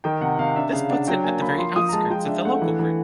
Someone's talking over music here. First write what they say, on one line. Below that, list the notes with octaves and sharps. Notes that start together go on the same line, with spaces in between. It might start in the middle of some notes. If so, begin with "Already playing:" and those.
This puts it at the very outskirts of the Local Group.
D#3 G5
C3 F#5
C3 F5
D4 E5
C#3 F5
D4 F#5
F#3 G5
A#3 G#5
A#3 B5
F3 C6
F3 D#6
A#5
G#3 A5
F3 G5
D4 E5
A3 F#5
E3
E3